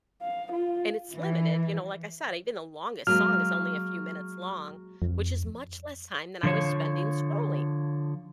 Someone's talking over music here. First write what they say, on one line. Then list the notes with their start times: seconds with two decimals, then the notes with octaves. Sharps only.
and it's limited, you know, like, I said, even the longest song is only a few minutes long, which is much less time than I was spending scrolling.
0.22 F5
0.52 F4
1.15 E3
3.07 F#3 G#3 A#3 F6
5.02 F2
6.43 D3 F3 C#5